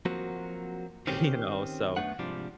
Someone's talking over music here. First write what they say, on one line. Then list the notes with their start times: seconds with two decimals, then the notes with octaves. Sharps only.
you know? So,
0.05 F3 F#3 A#3 C4 F#4
1.07 D#3 C4 C#4 G4
1.96 F#2 A3 B3 D4 F#5
2.19 G#2 C3 F3 G3 D4